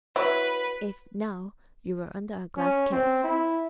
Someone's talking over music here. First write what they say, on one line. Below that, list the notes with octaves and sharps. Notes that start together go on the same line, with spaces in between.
"If, now, you were under a glass case."
F#3 E4 B4
C#4
C4
E4